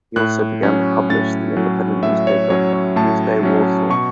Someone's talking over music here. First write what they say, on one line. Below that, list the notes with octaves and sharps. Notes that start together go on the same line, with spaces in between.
He also began to publish the independent newspaper "News Day Warsaw".
A2 F#6
F#3 C#4
A2 A6
F#3 C#4
A2 E5
C#5
F#3 C#4 C#5
C#5
A2 A5
F#3 C#4
B2 C#6